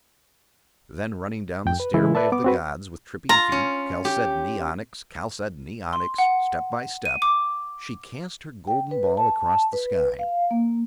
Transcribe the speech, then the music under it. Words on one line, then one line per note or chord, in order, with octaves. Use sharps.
Then running down the stairway of the gods with tripping feet, chalcedony, onyx, chalcedony, onyx, step by step, she cast her golden ball across the sky.
F2 G5
B4
C#3 E3 G#3 E4
B4 D5 E5 A5
B3 D6
C4 F#4 B4
F4 A#5
C#4
G4
C6
F#5
D#7
D6
G5
B4
A5
B4
F5
A#3